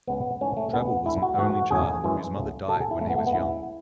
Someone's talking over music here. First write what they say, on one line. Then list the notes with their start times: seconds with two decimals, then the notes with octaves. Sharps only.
Drabble was an only child, whose mother died when he was young.
0.08 C#2 C#3 G#3 B3
0.41 G#2 E3 A3 C#4
0.57 A3
0.73 D2 C#3 G#3 B3
1.06 D2 D3 G#3 E4
1.22 F#4
1.38 G#2 E3 A3 F#4
1.71 E2 C#3 F#3 A3 G#4
2.04 F#2 E3 G#3
2.36 C#2 C#3 F#3 A3
2.68 F#2 C#3 F#3 A4
2.80 G#4
2.91 E4
3.01 A2 G#3 A3
3.10 B3
3.18 A3
3.27 B3
3.34 C#2 C#3 G#3 E4